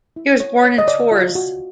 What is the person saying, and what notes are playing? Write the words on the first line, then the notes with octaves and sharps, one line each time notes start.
He was born in Tours.
E4
C#5
C#5
D#5
C#5 D5
F4
F#4